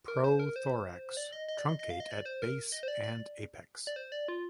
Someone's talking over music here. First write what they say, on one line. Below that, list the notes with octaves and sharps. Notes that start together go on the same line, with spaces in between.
Prothorax truncate at base and apex.
A#4
C5
A#4
C5
D5
D#5
D#5
D5
D#5
D#5
F5
D#5
D5
C5
A#4
D#5
C5
D5
D5
D5
C5
D5
F4